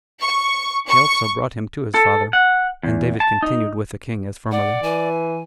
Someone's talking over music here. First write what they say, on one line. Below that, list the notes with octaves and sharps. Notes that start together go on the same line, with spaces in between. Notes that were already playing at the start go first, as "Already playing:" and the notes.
He also brought him to his father; and David continued with the king as formerly.
C#6
C#6
A4
F#5
E2
A5
D#4
D5 F#5
E3 G#5